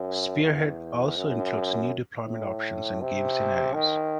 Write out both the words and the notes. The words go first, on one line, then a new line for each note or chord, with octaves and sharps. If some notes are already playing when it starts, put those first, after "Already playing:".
"Spearhead" also includes new deployment options and game scenarios.
Already playing: F#2
E2
F#2
A2
C3
D#3